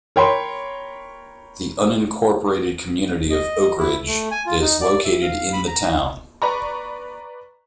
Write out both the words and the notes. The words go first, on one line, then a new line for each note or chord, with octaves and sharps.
The unincorporated community of Oakridge is located in the town.
A#4 C#5 G5 B5 C6
D#5
E4
A3
G#5
F4
D#4
D5
E5
F5
B5
A#5
B4 D5 A#5 C#6